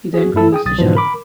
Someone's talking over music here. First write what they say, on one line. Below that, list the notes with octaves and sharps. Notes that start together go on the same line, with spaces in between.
He then cruised the Channel.
F#4 G#4
G2 A3 E4 A4 E6
G#4 G5 D#6
B1 D#6 A6
G#2 B2 E3 F3
A#4 B5 D6